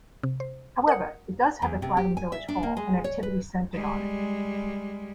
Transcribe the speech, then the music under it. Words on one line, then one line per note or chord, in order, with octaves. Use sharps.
However, it does have a thriving village hall and activities centred on it.
C3
C5
A#4 F#5 D#6 C#7
E2
C3
G4
G#5
E5
D4
A#3
G#3
C#5
B4
G3 G#3